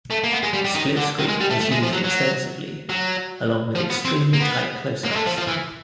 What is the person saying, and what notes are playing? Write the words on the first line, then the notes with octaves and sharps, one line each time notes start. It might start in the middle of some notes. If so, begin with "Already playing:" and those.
Split-screen is used extensively, along with extremely tight closeups.
A3
A#3
B3
G#3
G3
G3
D#3
D3
D#3
G#3
G3
A3
A3
G#3
F3
F#3
F#3
F#3
F3
B3
C4
A#3
B3
A#3
G#3
A3
F3
F3
E3